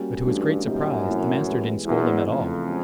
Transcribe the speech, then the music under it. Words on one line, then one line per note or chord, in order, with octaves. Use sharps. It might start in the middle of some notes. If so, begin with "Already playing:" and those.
But to his great surprise the master didn't scold at all.
Already playing: G3 A#3 C#4 F#4
G2 E3 A3 C#4 F#4
F#2 A#2 G3 B3 D#4 G4
A2 E3 A3 C4 E4
E3 G#3 B3 E4 G4
E2 F#3 A#3 D4
F2 C#3 E3 A3
G#3 C#4